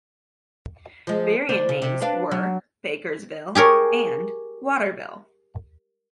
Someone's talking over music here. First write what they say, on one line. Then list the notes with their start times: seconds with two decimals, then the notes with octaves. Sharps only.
Variant names were "Bakersville" and "Waterville".
1.07 F3 G#3
1.49 D2 D4 C5
1.69 C#3
1.82 C3
2.01 D4 B4 F5
2.31 F#3
3.55 G4 G#4 A#4 C#5